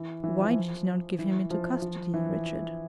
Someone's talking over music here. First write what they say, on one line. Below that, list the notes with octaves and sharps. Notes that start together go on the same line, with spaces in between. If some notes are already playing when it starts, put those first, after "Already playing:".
"Why did you not give him into custody, Richard?"
Already playing: E3
E3
F3
E3
F3
F3
E3